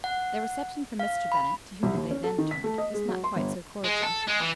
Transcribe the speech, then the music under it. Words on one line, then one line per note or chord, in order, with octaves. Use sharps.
Their reception from Mr. Bennet, to whom they then turned, was not quite so cordial.
F#5
F5
B5
C2
D#2
C#4
A4
D#3
B6
A3
D#5
G#3
F#3
C6
G1
G#3
A4
G#3
E3